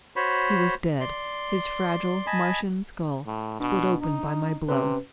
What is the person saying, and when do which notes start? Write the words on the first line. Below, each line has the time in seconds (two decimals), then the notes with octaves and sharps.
He was dead, his fragile Martian skull split open by my blow.
0.16 F#4 C5 C#5 B5
1.01 D5 C6
2.27 D#5 G#5 A5 B5
3.26 A2
3.60 B2 D4
4.02 D#4
4.69 C3 C#4 B4